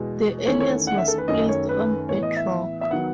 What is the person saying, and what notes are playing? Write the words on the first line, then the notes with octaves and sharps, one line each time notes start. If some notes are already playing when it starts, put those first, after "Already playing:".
The earliest was placed on bedrock.
Already playing: E2 B2 G#3
E2 D#3 A3 C#4 C#5
C#5
F#5
E5
A4
B4
F#2 D#3 A3 C#4 D#5
C#5
B4
A2 E3 B3 C#5
D#5
E5
E5
D#3 F#3 B3 F#5